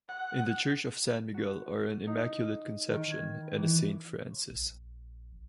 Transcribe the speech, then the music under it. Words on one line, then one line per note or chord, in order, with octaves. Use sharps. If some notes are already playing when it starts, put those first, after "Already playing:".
In the church of San Miguel are an "Immaculate Conception" and a "Saint Francis".
F#5
F#4
D#4
D#3
G#6
E3
A#1